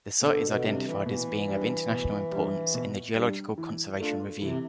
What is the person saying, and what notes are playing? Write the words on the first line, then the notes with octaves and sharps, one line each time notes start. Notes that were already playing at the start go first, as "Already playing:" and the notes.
The site is identified as being of international importance in the Geological Conservation Review.
B2 D3
B2
C3 G3 D4
E3
B2 E3
G3 D4
B2
G3 D4
B2
G3 D4
E3
A3 D4 F4 A4
C3 E3